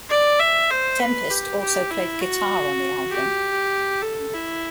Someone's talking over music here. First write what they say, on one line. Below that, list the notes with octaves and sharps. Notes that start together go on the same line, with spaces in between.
Tempest also played guitar on the album.
D5
E5
C5
B4
G4
G4
E4
F#4
G4
A4
E4